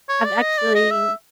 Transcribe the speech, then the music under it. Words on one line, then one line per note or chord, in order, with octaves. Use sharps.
I've actually
C#5
D5
D#5
D5
D#5
E5